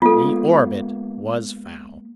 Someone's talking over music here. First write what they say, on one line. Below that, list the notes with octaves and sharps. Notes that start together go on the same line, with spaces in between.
The orbit was found.
G#3 A#3 B3 F4 A4